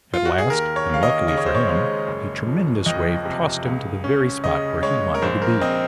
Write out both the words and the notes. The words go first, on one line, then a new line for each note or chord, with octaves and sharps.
At last, and luckily for him, a tremendous wave tossed him to the very spot where he wanted to be.
F4
F#4
G#4
D#2 A#4
C#5
D#2 F5
D#5
C#3 D#5
C#5
C5
C#5
G#3
F#1
F3
F2 D#5
C3
C#2
C#4
C#3 D#5
G#3 C#5
A#4
A#1 C5
A#4
C4 D#5